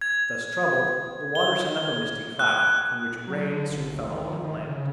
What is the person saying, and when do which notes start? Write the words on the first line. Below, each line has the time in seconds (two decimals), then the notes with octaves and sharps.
Thus troubled, the water sent up a misty cloud, from which rain soon fell upon the land.
0.01 G#6
1.35 G7
2.39 F#6
3.27 F#3
3.52 D3
3.70 G1
3.94 D2
4.10 D#3
4.25 F3
4.44 D#3
4.57 F1
4.69 C#3